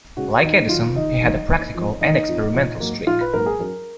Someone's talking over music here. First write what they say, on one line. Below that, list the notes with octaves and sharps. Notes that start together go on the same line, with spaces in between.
Like Edison, he had a practical and experimental streak.
C#3 G#3 F#4
D#2 D#4
D#3 F#3 F4
D#2 D#4
D#3 F#3
F#1
F2 F3
F#1 D#4
F2 F3
A#1
G#2 F#3 A#3
A#1 F4
B4
G#2 F#3 A#3 A#4
G#4
F#2 A#4